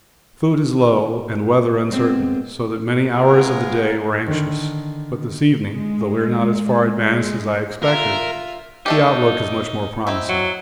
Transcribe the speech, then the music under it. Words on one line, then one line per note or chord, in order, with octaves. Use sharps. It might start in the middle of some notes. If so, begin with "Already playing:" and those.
Food is low and weather uncertain, so that many hours of the day were anxious; but this evening, though we are not as far advanced as I expected, the outlook is much more promising.
G#3 B3 C4
G#3 B3 D#4 F4 G#4 A#4
D3 D#3
G#3
G#3
F4 A#4 E5
A3 D4 D#4 G4
C4 D#4 E4
F#3